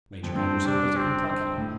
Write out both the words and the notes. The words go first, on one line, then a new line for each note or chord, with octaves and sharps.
Major Anderson was a Kentuckian.
F2
G2 C4
D4
C4
C4
A2